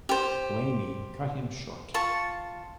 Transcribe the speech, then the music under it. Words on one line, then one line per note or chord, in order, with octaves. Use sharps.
Blamey cut him short.
G4 C5
F4 A5 C#6